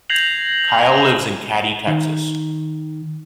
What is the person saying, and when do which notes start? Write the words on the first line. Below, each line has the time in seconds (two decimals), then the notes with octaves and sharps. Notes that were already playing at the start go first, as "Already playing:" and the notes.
Kyle lives in Katy, Texas.
0.10 G6 G#6 A#6 C7 F7 F#7
1.87 D#3